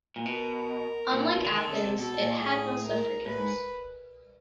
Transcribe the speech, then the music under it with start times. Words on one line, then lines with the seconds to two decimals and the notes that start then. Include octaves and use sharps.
Unlike Athens, it had no suffragans.
0.16 A#2
0.25 B2 A#4
1.11 A#2
1.34 B2
1.44 D3
1.54 D#3 A4
1.69 C#3
1.83 C3
1.98 B2 A4
2.19 A#2
2.40 A2 G#4
2.84 A#4
3.26 A2 B4
3.38 G#2